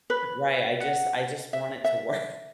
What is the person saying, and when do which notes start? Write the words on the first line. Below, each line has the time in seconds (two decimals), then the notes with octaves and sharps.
Right, I just I just want it to work,
0.10 B4
0.80 F#5
1.53 E5
1.84 E5